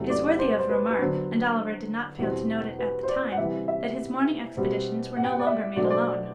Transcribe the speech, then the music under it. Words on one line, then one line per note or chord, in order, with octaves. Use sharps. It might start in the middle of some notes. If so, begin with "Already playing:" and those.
It is worthy of remark, and Oliver did not fail to note it at the time, that his morning expeditions were no longer made alone.
Already playing: E2 C3 F#3 A3
D5
C5
C5
B4
B4
D3 F#3 B3 D4 C5
E2 B2 G3 C4
B4
C5
D5
F#5
C3 E3 G3 E5
E5
B2 G3 C4
F#5
G5
F#5
D5
E5
B2 F#3 A3 D4 D5
C5
D5
D5